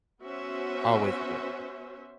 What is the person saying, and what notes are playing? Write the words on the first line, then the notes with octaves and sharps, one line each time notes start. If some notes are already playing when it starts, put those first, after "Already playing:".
always a good laugh.
B3 C#4 F#4 C5 E5